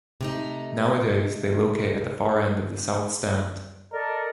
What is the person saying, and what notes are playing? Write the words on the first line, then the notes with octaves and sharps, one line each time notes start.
Nowadays they locate at the far end of the South stand.
C3 A3 D#4
A4 A#4 D5 D#5